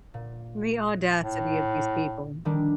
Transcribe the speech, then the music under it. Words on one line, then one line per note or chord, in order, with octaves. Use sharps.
The audacity of these people.
A#2
A2
D#3 G3 D4